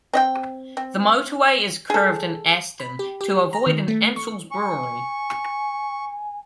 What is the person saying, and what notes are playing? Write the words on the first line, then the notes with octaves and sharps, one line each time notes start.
The motorway is curved in Aston to avoid an Ansells brewery.
C4 D#5 G5
C4
G#4 A4
B5
G4
G4
A#5
D#3
A3
C#6
G#5 C#6